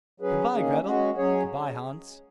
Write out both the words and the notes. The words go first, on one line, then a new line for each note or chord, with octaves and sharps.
'Goodbye, Gretel.' 'Goodbye, Hans.'
F#3 C#4 G#4 B4
D#3 A#3 C#4 G#4
G#3 C#4 F#4
F#3 C#4 G#4 C#5